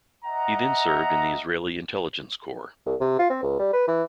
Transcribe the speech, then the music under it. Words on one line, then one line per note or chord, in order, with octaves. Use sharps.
He then served in the Israeli Intelligence Corps.
D#5 E5 F#5 A#5
C2
C3
F4
C4
C#2
G3
B4
E3